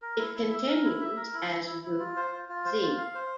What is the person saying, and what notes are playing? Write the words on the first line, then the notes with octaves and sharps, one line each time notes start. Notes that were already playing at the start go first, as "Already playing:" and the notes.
It continues as Route Z.
A#4
E4
E4
E5
A#4
E4
E5
A#4
E4
E4
E4
E4
F4
C5
F4
F4
C5
F4
F5
C5